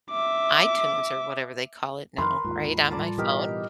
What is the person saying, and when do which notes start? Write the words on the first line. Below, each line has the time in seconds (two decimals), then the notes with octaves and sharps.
iTunes or whatever they call it now, right on my phone."
0.10 E5 D6
2.18 F2 D#3 A#4 B4 C6
2.44 D#2 G#2 F4
2.91 A2 G3 F4 D5 A5 A#5
3.18 B2 E3 D#4 G4 A#4